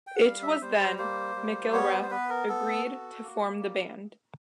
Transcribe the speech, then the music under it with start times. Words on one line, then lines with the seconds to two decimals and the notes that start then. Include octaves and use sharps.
It was then McIlrath agreed to form the band.
0.07 G5
0.15 F#5
0.23 G3 F5
0.42 E5
0.61 G3 C5
0.80 C5
0.98 A#3 C5
1.36 G3
1.73 B3 C#5
1.92 C5
2.02 C5
2.11 B3 B4
2.30 A#4
2.48 B3 A4
2.85 F#4
3.23 A#3
3.61 G3